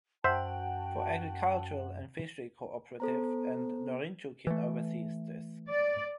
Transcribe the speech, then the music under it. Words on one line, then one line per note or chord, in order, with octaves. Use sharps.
For agricultural and fishery co-operative and Norinchukin, oversees this.
F#2 F#4 C5 E5 F#5 G5 A5
B3 A4 C5 A#5
E3 A3
D5